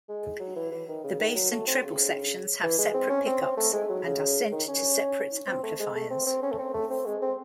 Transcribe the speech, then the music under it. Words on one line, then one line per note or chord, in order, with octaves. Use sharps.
The bass and treble sections have separate pickups and are sent to separate amplifiers.
G#3
F#3
E3
E3
D#3
C#3
D#3
F#3
A3
C4
C#3
E3
G#3
C4
C#4
C4
C4
A3
G#3
F#3
C#3
D#3
C#4
C4
A3
G#3
A3
C4
C4
C#4
A3
C4
A3
C4
G#3
C4